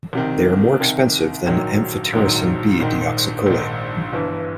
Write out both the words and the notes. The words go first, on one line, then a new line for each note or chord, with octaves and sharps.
They are more expensive than amphotericin B deoxycholate.
C2 C3 D#3
C2 C3 D#3
A#1 G#2 D#3 F#3
A#1 G#2 D#3 F#3
A#1 G#2 D#3
A#1 G#2 D#3
G1 G2 E3